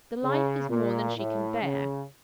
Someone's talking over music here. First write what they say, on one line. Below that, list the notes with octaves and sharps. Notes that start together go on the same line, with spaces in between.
The life is more than she can bear.
C#3
A#2
A2
C#3